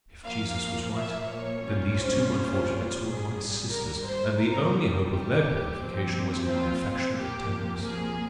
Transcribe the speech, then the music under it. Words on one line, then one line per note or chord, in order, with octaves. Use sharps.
If Jesus was right, then these two unfortunates were my sisters, and the only hope of their purification was in my affection and tenderness.
A#2 F3 A#3 F5
E5
C#5
C2 A#2 G3 C#4 F4
C5
C5
G#1 G2 G3 G#4
A#4
C5
E2 C3 G3 A#4
G4
A#2 F3 C4
F4
C2 A#2 F3 A#3 G4
G#4